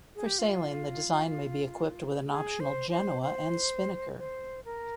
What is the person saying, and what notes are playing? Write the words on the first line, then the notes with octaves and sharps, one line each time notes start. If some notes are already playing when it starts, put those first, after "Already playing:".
For sailing the design may be equipped with an optional genoa and spinnaker.
G#4
G4
F4
G#4
C5
C5
C5
C5
A#4